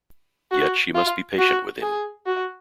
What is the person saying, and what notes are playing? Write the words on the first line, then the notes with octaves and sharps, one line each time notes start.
Yet she must be patient with him.
F#4
F4
F#4
G#4
F#4